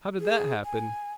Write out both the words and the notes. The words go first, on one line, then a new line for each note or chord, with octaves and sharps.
"How did that happen?"
G#4
G#5